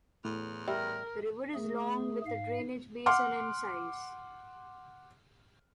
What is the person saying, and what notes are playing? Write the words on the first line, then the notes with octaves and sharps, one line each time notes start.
The river is long, with a drainage basin in size.
E2 A2
G3 E4 A#4
A3 G#4
G#2 F5
F#5 C6 D6 F6